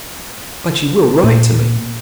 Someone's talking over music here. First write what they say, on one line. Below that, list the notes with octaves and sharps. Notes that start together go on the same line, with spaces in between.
"But you will write to me?"
A#2